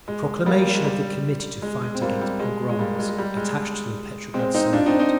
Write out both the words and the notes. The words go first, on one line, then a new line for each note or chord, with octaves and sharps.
A proclamation of the Committee to Fight against Pogroms, attached to the Petrograd Soviet.
G#3
G3 A#3
A#3
G#3
G3
G#3
G#3
C4
G3 A#3
G3
G#3
G#3
G3 A#3
G#3
G#3
G3
G#3
G#3 C4
C4 D#4
D4 F4
C4 D#4
C4 D#4